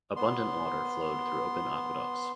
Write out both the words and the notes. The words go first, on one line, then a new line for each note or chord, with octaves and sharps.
Abundant water flowed through open aqueducts.
B3 C6